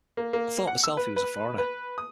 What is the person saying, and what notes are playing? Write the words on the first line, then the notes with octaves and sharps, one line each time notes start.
I thought myself he was a foreigner.
A#3
A#3
F#5
E6
B4
B4
B4
D#6